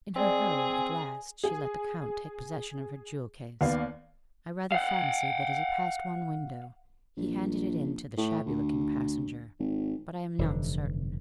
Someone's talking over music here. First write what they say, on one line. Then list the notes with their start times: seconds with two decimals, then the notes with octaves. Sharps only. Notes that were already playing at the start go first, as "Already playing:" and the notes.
In her hurry, at last, she let the Count take possession of her jewel-case. I rather fancy that as he passed one window he handed it in to the shabby-looking passenger; but I am not certain.
0.16 C4 G#4 D5 D#5
1.44 G#4
3.61 D#2 B3 D5 F5
4.72 F5 F#5
7.17 A#1
8.18 A2
8.46 D2
9.60 G#1
10.39 F1 G2 D3 E3